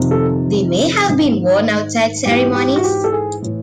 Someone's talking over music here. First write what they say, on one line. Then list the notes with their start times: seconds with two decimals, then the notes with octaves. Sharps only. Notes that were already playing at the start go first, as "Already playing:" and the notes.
They may have been worn outside ceremonies.
Already playing: F2 C3 D#3
0.11 A4
1.08 G#2 D#3
2.25 G#2 E3 G4
2.54 G4
2.76 F#4
2.84 G4
3.04 A4
3.13 G#4
3.42 A2 E3